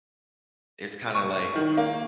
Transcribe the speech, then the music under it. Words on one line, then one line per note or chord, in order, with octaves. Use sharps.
it's kinda, like
C#6
D#3
A#3